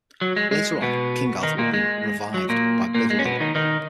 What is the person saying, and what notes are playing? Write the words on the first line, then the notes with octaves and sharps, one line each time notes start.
Later on, King Arthur would be 'revived' by Biddeloo.
F#3
G#3
G#3
B2 B3
D#3 D#4
A#2 A#3
G#3
F#3
A#2 A#3
A#2 A#3
G#3
C#4
B2 B3
D#3 D#4
D#3 D#4